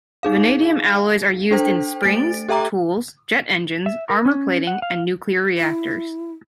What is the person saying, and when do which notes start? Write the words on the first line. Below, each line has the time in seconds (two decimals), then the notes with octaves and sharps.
Vanadium alloys are used in springs, tools, jet engines, armor plating, and nuclear reactors.
0.23 D#4 G#4 F5
1.51 D4 A4 C5 G5
2.03 A3 A6 D7
2.49 G4 A4 E5 G5 A#5 D6
3.86 E5
4.10 A#4
4.26 C#4
4.67 F#5
4.82 F5
5.58 E4